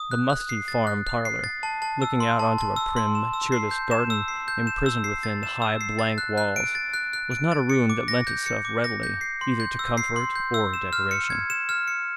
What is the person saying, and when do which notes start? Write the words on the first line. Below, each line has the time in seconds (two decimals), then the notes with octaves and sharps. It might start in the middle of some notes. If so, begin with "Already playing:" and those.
The musty farm parlour, looking out on to a prim, cheerless garden imprisoned within high, blank walls, was not a room that lent itself readily either to comfort or decoration.
Already playing: D#6
0.11 F#6
0.30 F#6
0.49 C7
0.68 A6
0.87 F#6
1.07 F#6
1.25 C7
1.44 A6
1.63 A5
1.82 A5
2.02 E6
2.20 C6
2.39 A5
2.58 A5
2.76 E6
2.96 C6
3.15 E7
3.33 E6
3.52 C7
3.71 G6
3.91 E7
4.10 E6
4.28 C7
4.48 G6
4.67 E7
4.86 E6
5.04 C7
5.23 A6
5.43 E7
5.62 E6
5.81 C7
5.99 A6
6.18 F#6
6.38 F#6
6.56 D7
6.75 A6
6.94 F#6
7.13 F#6
7.31 D7
7.52 A6
7.70 C#7
7.90 D6
8.08 A#6
8.27 G6
8.46 C#7
8.65 D6
8.84 A#6
9.03 G6
9.21 C7
9.41 C6
9.60 G6
9.79 E6
9.98 C7
10.16 C6
10.36 G6
10.54 E6
10.74 E7
10.93 F6
11.11 C#7
11.30 G#6
11.50 E7
11.69 F6
11.88 C#7